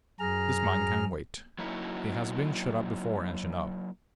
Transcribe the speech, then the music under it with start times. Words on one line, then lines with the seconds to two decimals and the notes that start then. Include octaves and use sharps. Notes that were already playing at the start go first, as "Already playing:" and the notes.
This mine can wait; it has been shut up before, as you know.
0.20 F#2 G#4 A#5 F6
1.59 F#3 A#3 D#4 E4 F#4